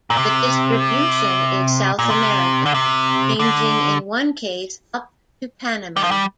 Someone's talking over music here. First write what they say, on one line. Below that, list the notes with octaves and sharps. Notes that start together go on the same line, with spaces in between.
The distribution is South America, ranging in one case up to Panama.
A#2
C3
A#2
C3
D3
C3
D3
G3
F3
G3